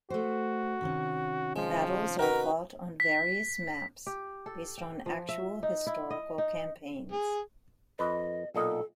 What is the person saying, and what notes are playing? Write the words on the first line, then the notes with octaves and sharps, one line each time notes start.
Battles are fought on various maps based on actual historical campaigns.
A3 F#4 C5
C3 D#3 C#4
F3 G#3
D#4 F#4 A#4 B4
B6
G4
A4
G5
F3
E5
D#4
E4
D#5
D#4
G#4
F2 B4 D#5
B1 A#2 A4 D#5